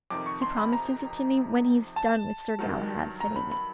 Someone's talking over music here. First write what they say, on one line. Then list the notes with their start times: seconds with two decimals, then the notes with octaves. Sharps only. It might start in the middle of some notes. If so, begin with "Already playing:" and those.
He promises it to me when he has done with Sir Galahad,' said Amy.
0.10 F2 C3 D#3 D6
0.26 C#6
0.42 C6
0.57 B5
0.73 A#5
1.96 A5
2.59 G2 D#3 F#3
3.20 A#5
3.36 B5
3.52 B5